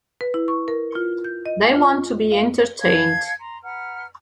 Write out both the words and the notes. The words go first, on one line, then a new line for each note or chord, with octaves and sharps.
They want to be entertained.
B4
E4
C#6
A#4
F4
G6
D#5
G#5
F4
F5
F5 A5 G#6
A#5 C6
B4 F#5 A#5 F6